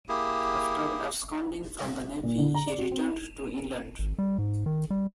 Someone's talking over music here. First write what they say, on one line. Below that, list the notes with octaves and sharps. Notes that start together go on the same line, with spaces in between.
After absconding from the Navy, he returned to England.
A#3 E4 G4 G#4
A#2
D3
A#5
D5
F#4
C4
G#1
G3
G#2
D#3
G3